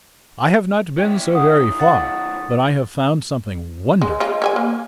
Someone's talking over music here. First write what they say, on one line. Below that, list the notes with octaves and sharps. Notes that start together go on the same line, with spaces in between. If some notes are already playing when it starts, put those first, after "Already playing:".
"I have not been so very far, but I have found something wonderful."
C#4 E4 D5 G5
D#3 F#3 C#5 E5 F#5 D#6
A3 C#5 F5 F#5 A6
G#3
G#3 F4
C#5 E5 G#5
A#3